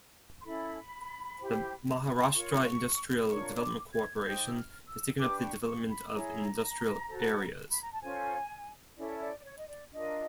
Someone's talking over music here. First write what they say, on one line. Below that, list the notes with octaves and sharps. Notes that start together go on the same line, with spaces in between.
The Maharashtra Industrial Development Corporation has taken up the development of industrial areas.
C6
C#4 E4 A4 B5
E4 G4 C5
C6
F4 A#4 C#5 C#6
D4 F4 A#4 C#5 C#6
D6
G#6
D#4 G4 C5 G6
E6
F6
E6
D4 G4 B4 D6
C#6
C#6
B5
E4 G#4 C#5 A#5
F#4 A4 C5
B5
A#5
A5
C#4 F4 A4 C5 G#5
C#4 E4 A4 D5
D5
D5
C#5
D#5
D5
D4 F4 A#4 D#5